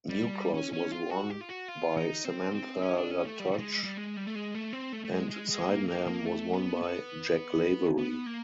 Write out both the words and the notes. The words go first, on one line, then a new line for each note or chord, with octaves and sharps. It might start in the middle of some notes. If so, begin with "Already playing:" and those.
New Cross was won by Samantha Latouche and Sydenham was won by Jack Lavery.
G3
C#4
C#4
F4
F#4
G4
F4
F#4
F4
D#4
C4
C4
C#4
D4
C#4
A3
G3
G3
G#3
G3
G#3
G3
A3
G#3
A3
C4
A3
A3
G#3
G#3
G#3
A#3
A#3
A#3
A3
B3
B3
B3
A#3